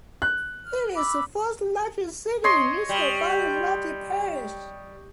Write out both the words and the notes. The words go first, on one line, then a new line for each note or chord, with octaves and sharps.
It is the fourth-largest city in East Baton Rouge Parish.
F#6
F6
B5 D6 E6
C#5 D#5 C6
G3